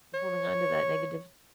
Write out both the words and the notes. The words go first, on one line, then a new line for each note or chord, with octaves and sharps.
Holding on to that negative,
C#5